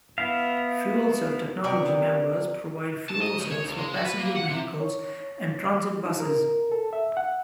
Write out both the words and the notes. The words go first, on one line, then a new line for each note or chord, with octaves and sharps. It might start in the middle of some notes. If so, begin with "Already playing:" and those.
Fuel cell technology members provide fuel cells for passenger vehicles and transit buses.
B3 E4 F5
C3 B3 A#4 D5
A5
D#5
C#3
C#5
C#2
G#3
F#4
B4
A#3
F#5
C3
C#5
D#4
A#4
A4
E5
F#5